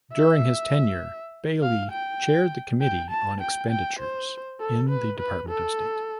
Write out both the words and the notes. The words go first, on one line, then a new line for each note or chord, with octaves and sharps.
During his tenure Bailey chaired the Committee on Expenditures in the Department of State.
E5
F5
G5
G5
A5
G5
G5
C5
A4
B4
B4
A4